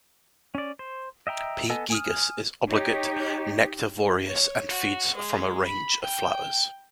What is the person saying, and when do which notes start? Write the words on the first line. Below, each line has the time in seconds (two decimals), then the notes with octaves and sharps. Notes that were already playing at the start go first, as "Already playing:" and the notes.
"P. gigas" is obligate nectarvorious and feeds from a range of flowers.
0.55 C#4 D5
0.79 C5
1.27 D#5 E5 G5 A#5
1.69 B3 A4 D#5 G#5
1.90 G#5 D#6 F6
2.69 D#4 G4 C#5
4.25 C#5
4.70 F#4
5.16 G#3
5.65 B5
6.02 G5